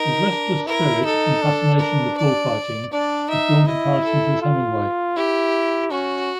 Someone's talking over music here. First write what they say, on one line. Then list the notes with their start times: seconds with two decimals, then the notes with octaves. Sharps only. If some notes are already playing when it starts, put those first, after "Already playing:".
His restless spirit and fascination with bullfighting has drawn comparisons with Hemingway.
Already playing: D#4 A#4
0.29 D4
0.67 E4 A#4
1.04 D#4 A4
1.42 D4
1.79 A#4
2.17 D5
2.92 D4 D5
3.29 D#4 E5
3.67 E4 D#5
4.04 A4
4.42 F4
5.16 E4 G4
5.91 C#4 F#4